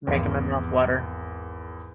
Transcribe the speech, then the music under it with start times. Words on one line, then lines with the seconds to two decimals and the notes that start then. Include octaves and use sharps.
Making my mouth water.
0.07 G#1 E2